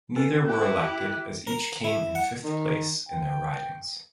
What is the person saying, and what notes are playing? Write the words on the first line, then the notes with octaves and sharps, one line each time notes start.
Neither were elected as each came in fifth place in their ridings.
C#4 A4 B4
E4 G4 F#6
A#4
E4
F#5
D#3
G5